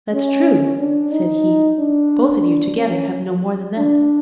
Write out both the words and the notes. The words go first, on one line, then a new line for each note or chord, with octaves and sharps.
"That's true," said he, "both of you together have no more than that."
C#4
D4
D#4
D4
C#4
D4